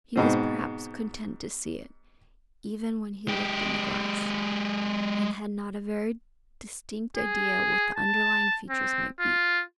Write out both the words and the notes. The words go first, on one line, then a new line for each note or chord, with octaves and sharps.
He was, perhaps, content to see it, even when he looked in the glass, and had not a very distinct idea what the underlying features might be.
G#2 B2 C4
G#3 G4
G#4
A5
C4
F4